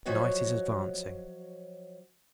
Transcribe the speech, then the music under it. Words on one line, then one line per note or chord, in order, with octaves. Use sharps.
Night is advancing.
F3 F#3 F#4 C#5 D#5